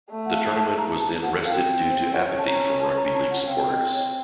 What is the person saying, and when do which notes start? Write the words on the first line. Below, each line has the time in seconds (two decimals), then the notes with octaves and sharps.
The tournament was then rested due to apathy from rugby league supporters.
0.10 A3
0.26 F#5
0.32 F5
0.55 A5
0.77 A#5
1.00 A5
1.23 F#5
1.45 C4 F5
1.90 C5
2.12 C#4 F#5
2.38 A5
2.47 A#5
2.80 A5
2.97 A#5
3.14 A5
3.31 F#5
3.47 C4 F5
3.70 D#5
3.92 C#5